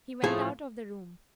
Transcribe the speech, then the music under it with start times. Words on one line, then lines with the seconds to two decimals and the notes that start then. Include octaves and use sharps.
He went out of the room.
0.24 A2 F3 A3 G#4